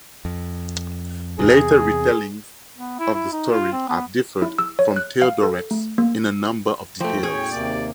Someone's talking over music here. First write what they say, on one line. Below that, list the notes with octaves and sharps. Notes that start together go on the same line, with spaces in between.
Later retellings of the story have differed from Theodoret's in a number of details.
F2
E2 C3 G#4
B3
E4
E4
D#4
F4
C4
B3
E4
E6
C#5
F#6
F5
A4
A3
A#3
E2 F3 A3 F#4 G5
A2 C#4 G#4 C#5
D#2 C3 A#3 D5